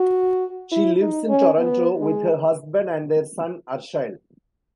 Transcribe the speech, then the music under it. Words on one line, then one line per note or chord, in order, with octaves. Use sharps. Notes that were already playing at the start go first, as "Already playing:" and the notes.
She lives in Toronto with her husband and their son, Arshile.
Already playing: F#4
E4
D#4
C#4
B3
G#3